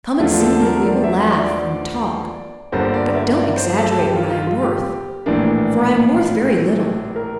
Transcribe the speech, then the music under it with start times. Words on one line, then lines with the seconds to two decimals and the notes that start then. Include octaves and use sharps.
Come and see me, we will laugh and talk, but don't exaggerate what I am worth, for I am worth very little.
0.19 E2 D3 F3 A3 D4 F4
0.40 A4
0.62 A#4
0.83 D5
1.04 E5
1.25 D5
1.45 D5
2.72 G1 G2 D3 G3 A#3 C5
2.94 D5
3.14 E5
3.36 D5
3.57 C5
3.78 A4
3.99 G4
4.15 F4
4.31 F4
4.46 F4
4.62 G4
5.26 A#1 A2 E3 A#3 D4
7.16 A#4